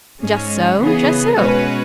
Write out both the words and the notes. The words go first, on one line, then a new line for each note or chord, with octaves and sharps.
'Just so, just so.
G#2 G#3 C#4
C#3 E3 B3 G#4
B2 G#3 C#4 F#4 B4